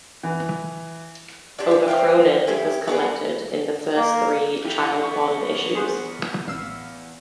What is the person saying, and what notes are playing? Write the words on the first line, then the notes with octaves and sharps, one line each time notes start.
Over kronen was collected in the first three "child bond" issues.
E3
D4 F#4 G4 C5
D3 D#3
C5 E5 F5 G5
C#4 E4 G4 G#4
B3 F#4 G#4 D5
A#3
E2 B3 E4 G4
C#6
G#4 C5 F#5
A1 F5 E6